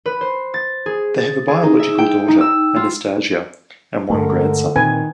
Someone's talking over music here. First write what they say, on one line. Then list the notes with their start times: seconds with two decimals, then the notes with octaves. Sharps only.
They have a biological daughter Anastasia, and one grandson.
0.06 B4
0.21 C5
0.54 A6
0.86 G#4
1.18 A6
1.48 G#4
1.63 D#4
1.79 E5
1.98 G5
2.28 D#4
2.41 E6
2.76 F4
4.10 G2 D3 G#3 A3 A#4
4.76 A#2 D#3 C4 B4 G#5